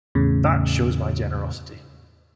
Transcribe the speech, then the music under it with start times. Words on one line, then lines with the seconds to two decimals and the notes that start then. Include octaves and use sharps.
That shows my generosity.
0.15 E2 A2 C#3